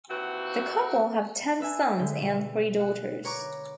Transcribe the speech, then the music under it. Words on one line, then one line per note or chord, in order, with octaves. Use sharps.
The couple have ten sons and three daughters.
D#2 E3 C4 F#4
B4 E5 G#5
D3 G#3 G6 B6
B2
F#5
A#4 B4 C#5 A#5 C#6 D6